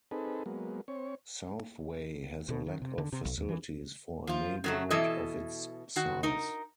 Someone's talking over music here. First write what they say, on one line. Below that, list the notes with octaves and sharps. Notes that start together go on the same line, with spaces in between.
Southway has a lack of facilities for a neighbourhood of its size.
C4 D#4 G#4 A4 B4
F#3 G#3 A#3 B3
C4 C#5
B2
D#3
C3
D3
C3
B1
D#2
E3
F3 F4
C#3 F#3 A3
B2 E3 E4 A4 D#5
D#3 F#4
D#4 A#4